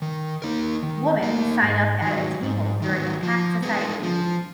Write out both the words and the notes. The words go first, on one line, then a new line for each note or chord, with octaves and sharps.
Woman sign up at a table during a hat society meeting.
D#3
A#3 D#4 A#4
D#3
A#3 D#4 A#4
G#2
D#3 F#3
G#2
D#3 F#3
F3
G#3 B3
F3